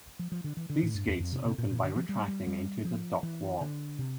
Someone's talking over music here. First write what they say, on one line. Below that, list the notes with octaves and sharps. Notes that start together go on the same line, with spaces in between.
These gates open by retracting into the dock wall.
F3
F3
D3
E3
D3
A2
G2
E2
F2
C3
C3
A#2
A#2
D3
F3
G3
G3
G3
F3
E3
D3
C3